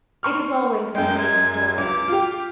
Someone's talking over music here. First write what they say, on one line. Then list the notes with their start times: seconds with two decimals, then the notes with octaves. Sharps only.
It is always the same story.
0.23 C6 C#6 F6
0.95 F#2 G#3 G5
1.18 G#6
1.78 C#2 D6
2.08 F4 G4